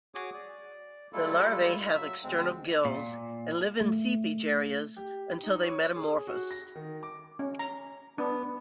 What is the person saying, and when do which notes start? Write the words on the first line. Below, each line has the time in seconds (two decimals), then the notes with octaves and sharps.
The larvae have external gills, and live in seepage areas until they metamorphose.
0.15 F#4 G#4 C#5 D6 D#6
0.34 D5
1.13 G3 G#3 A#3 E4 F4 A4
1.77 G#2
1.94 F#3 E5 E6
2.23 D2 G#3 C4
2.85 A#2
3.81 A3
4.96 G4
5.43 D#4
5.63 C#5
5.96 G#4
6.27 F#4
6.51 A#6
6.75 D#3
7.03 D6
7.39 C#4
7.59 A#5
8.18 B3 D4